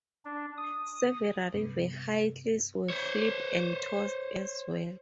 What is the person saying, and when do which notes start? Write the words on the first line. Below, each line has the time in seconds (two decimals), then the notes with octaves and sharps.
Several vehicles were flipped and tossed as well.
0.25 D4
0.58 D#6
1.54 G2 C3 B3
2.90 C5 C#5